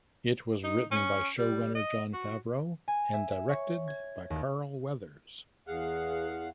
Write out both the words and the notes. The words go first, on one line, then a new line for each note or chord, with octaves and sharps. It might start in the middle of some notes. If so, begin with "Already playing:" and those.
It was written by showrunner Jon Favreau and directed by Carl Weathers.
D#4
C#4
G3
D#5
F#4
G#5
E5
E5
C#5
G#6
D#2
E2 G#4 F5 F#5